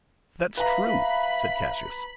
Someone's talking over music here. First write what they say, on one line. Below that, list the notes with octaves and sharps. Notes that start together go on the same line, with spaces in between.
"That's true," said Cassius.
B4 E5 F5 A#5 B5